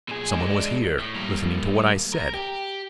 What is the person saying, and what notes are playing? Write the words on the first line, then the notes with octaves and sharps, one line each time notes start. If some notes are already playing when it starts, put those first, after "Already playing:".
Some one was here--listening to what I said!
A#2 G#4
G#3 D4
A2
G3 A#3
A#4
G4